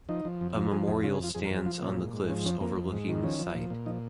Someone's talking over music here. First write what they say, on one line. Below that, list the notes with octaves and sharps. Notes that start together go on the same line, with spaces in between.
A memorial stands on the cliffs overlooking the site.
F3 D#4
F3
F2
F3
F3 G#4
F2 G#4
C#3 F4
G#4
F2 F4
F2 G#4
A#4
F2
G#4
F3 F4
A#2 C#4
G#2
G#2
F3 C#4
F2 C#4
F2 A#3
F2
G#2
D#3
F3 C#4
F3
A#2
A#2
F3 D#4